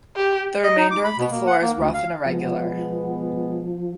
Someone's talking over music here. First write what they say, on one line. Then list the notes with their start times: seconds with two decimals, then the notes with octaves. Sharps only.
The remainder of the floor is rough and irregular.
0.16 G4
0.63 D#5
0.77 D#4
0.91 D6
1.04 B5
1.18 B2
1.31 A#3
1.47 F#5
1.62 A#3
1.77 D2
1.94 F5
2.26 B2 F3 G#3 B3